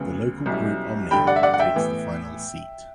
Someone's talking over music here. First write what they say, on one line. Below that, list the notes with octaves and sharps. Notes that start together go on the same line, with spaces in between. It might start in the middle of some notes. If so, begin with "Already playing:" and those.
The local group Omnia takes the final seat.
Already playing: D2 C#3 F#3 B3
B1 B2 G3 C#4 E4
A1 G2 D3 G5 B5
D5 F#5
E5
D5 F#5
F#5
E5 G5
A2 E3 B3